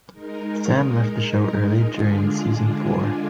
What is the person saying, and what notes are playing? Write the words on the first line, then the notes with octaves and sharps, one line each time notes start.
Sam left the show early during season four.
G#3 D#4 A#4
D3 G#3 D4 F4 G#4